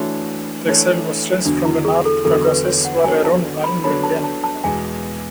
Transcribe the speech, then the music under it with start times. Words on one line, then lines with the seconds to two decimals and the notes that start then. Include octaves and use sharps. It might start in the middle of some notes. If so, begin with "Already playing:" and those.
The exiled Muslims from the North Caucasus were around one million.
Already playing: E3 A3 D4 F#4 A4 C#5
0.66 E3 A3 D4 A4 C#5
1.45 E2 D3 F#3 D4
1.65 E4
1.85 G#4
2.05 A4
2.25 E2 D3 F#3 A4
2.45 B4
2.65 C#5
2.85 F#5
3.04 F#3 B3 D4 A4 C#5 G#5
3.25 A5
3.64 B5
3.84 F#3 B3 D4 A4 C#5 B5
4.03 A5
4.24 A5
4.44 A5
4.64 E2 B2 G#3 B3 G#5